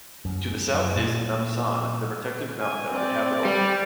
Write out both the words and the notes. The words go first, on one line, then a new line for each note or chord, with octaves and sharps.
To the south is Namsan, the protective mountain of the capital.
F#2
A#2
G#5
C4 D5
G3